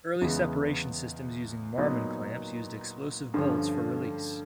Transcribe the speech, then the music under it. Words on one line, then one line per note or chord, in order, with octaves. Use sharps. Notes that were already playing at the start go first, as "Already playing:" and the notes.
Early separation systems using Marman clamps used explosive bolts for release.
E2 C#3 E3 G#3 B3
A#2 F#3 B3 D#4
G2 D3 F3 A3 C#4